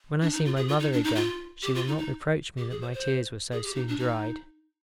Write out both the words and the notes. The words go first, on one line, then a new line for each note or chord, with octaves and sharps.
When I see my mother again, she will not reproach me that my tears were so soon dried.
D4
D#4
F4
G#4
F4
D#4
D4
D#4
F4
G4
F4
D#4
D#4
G4
G#4
C5
C5
G#4
G4
D#4
D4
D#4